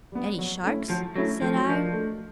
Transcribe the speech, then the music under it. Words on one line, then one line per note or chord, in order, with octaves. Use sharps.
"Any sharks?" said I.
G3 B3
F#3
A3 C#4 E4
F3 F#3
F#3 A3 C#4 E4
F3 A3
F#3
F3 D4 F4 A#4 D#5
A3